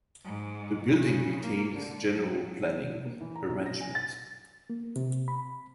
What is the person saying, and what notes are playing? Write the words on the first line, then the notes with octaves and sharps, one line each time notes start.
The building retains its general planning arrangement.
G#2
C#3
A#3
D3
F#3
A#3
E3
A#5
B1
A#6
G#5
A6
A#3
C3
B5